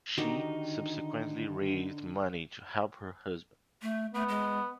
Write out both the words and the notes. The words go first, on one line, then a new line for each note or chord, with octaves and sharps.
She subsequently raised money to help her husband.
D3 D#3 D#4 F#4 G4
A3
A3 B3
G#3